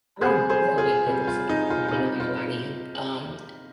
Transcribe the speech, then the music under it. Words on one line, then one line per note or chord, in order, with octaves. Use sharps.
I don't, I don't like pickles. I'm, I'm not even gonna lie to you. Um,
C3 G3 G#4 C5
G#4 C5
F4 G#4
C3 G3
F4
D#4
F4
F4
C3 G3 D#4
F4